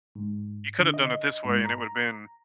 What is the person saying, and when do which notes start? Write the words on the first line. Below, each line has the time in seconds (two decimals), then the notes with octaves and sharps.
You coulda done it this way, and it would’ve been"
0.15 G#2
0.79 D3
0.94 D#5
1.45 G#2
1.65 A#5